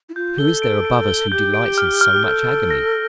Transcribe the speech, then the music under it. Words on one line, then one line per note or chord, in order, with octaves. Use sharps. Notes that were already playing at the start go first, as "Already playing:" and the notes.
Who is there above us who delights in so much agony?
E4
F4 G6
A4 G7
D7
D7
G7
G4 G6
D7
F6
F6
G4
A4 F6
F6
A#6